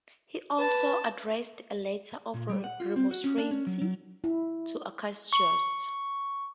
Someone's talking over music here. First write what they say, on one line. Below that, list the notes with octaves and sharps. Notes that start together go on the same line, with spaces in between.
He also addressed a letter of remonstrance to Acacius.
B4 A5
A#2
G3
F#5
F4
C4
F#4
C#4
D4
C#4
F#3
F#3
E4
C#6